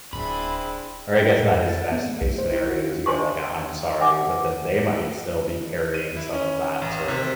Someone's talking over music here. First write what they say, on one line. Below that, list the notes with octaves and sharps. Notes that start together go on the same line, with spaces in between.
or I guess that is best-case scenario is you get like, a "I'm sorry," but then they might still be carrying some of that sort of
D1 C4 D4 E4 G#4 B5
G5
A2
F2
A6
B3
A3
B1
C5
E4
F#4
F4
D4 C5 A5 C6 C#6
E5 F#5 G#5 D6
D#7
E4
C#4
A1
C3